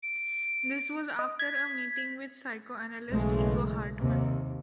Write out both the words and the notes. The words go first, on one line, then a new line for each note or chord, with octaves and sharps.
This was after a meeting with psychoanalyst Ingo Hartmann.
D7
D#5
G#6 B6
B1 C#3 E3 G#3 A3
D#2 C3